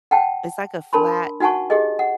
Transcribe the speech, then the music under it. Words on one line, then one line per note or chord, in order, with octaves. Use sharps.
It's, like, a flat
F#5 G5 A5
D4 A#4 A5 B5 C6
D#4 F#4 F#5 G#5 A5 C#6
G4 G#4 D#5
F#5